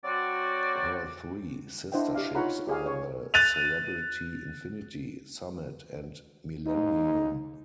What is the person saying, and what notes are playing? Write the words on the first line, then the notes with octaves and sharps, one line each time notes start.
Her three sister ships are the "Celebrity Infinity", "Summit", and "Millennium".
F#3 C4 F#4 D5
D4 E4 C5 D#5 F#5 G5
G4 D5 F5
D#4 F4 C#5 F#5 A#5 B5
G4 G#4 F5
C#5
F#6 A6 D#7 F7
D#4